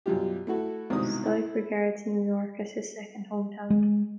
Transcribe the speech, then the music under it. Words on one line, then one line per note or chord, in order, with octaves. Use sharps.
Stipe regards New York as his second hometown.
F#2 B2 G3 F4 G4
A3 E4 F#4 A4
C2 G#2 B2 D#3 D#6
E4
G#3